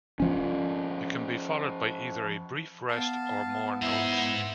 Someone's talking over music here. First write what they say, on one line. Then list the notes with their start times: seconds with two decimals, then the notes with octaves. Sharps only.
It can be followed by either a brief rest or more notes.
0.20 F3 C#4
2.88 B3 F5 A5
3.82 G#2 E4 C5